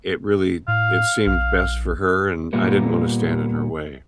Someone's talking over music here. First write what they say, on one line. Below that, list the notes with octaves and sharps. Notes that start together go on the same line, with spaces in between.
it really it seemed best for her, and I didn't wanna stand in her way.
A2 F5
A#1 F5
A#2 G3 A#3 B3